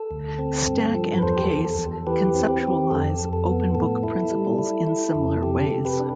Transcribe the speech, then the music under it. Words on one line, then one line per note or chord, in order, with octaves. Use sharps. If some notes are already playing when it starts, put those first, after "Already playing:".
Stack and Case conceptualize open-book principles in similar ways.
Already playing: A4
D2
C4
G2
F3
B4
E2 A4 C5
G4
A4
E2
A4
E2
E3 G4 B4
C4
G4
C4 G4
F2 A4
F2
A4
B3
A2 A4
E4
G3
E4
E4
F2
C3 G4
A4
C3
G4 B4
D4